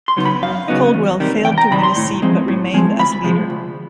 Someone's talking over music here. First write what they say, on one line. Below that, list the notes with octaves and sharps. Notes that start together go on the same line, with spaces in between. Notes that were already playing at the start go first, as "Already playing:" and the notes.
Coldwell failed to win a seat but remained as leader.
C6
C#3 F#3 B3 D#4
B5
F#2 F5
C#3 F#3 B3 D#4
E2
C3 D#3 G3
E2 G5
A#5
C3 D#3 G3 B5
C6
A2
F3 G#3 C4
A2
F3 G#3 C4
D2 B5
C3 F3 G#3
D2